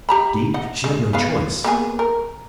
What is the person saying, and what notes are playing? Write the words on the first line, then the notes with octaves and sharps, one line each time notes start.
Indeed, she had no choice.
G4 A#5 B5
D#5 F#5
G#3
B3 B4 F5
A#3 B3 G#4
A#4